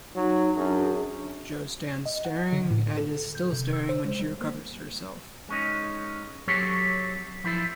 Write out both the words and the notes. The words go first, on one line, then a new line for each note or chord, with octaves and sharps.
Jo stands staring, and is still staring when she recovers herself.
F#3 D#4
F#2 D4 F#4 G#4
D#5
F#5
D3
A2
A4
G6
C3
E6
C5
G#3
G3
A#3
G#3 C#4 D#4
F#3 C4 G4 A4 C#5
F3 E4 A4